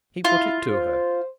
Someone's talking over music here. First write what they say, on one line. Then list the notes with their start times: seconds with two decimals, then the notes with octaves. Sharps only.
He put it to her.
0.25 E4 F4
0.71 C5